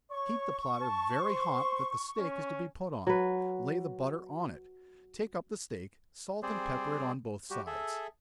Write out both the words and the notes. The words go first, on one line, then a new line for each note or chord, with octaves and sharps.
Heat the platter very hot that the steak is to be put on, lay the butter on it, take up the steak, salt and pepper it on both sides.
C#5 C#6
A5
C5
C#4
F#3 B4
G3 C4 G#4 C5 D5
G3 F#4 G4
G#4 A4 E5